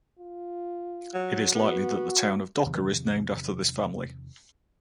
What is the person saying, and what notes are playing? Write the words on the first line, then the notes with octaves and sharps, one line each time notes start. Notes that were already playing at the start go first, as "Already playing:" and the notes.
It is likely the town of Docker is named after this family.
F4
F#3
B3 F#4
E2 C3 D#3 F3